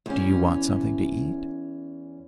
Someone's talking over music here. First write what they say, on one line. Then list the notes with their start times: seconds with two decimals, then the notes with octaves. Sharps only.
Do you want something to eat?
0.06 E2 C#4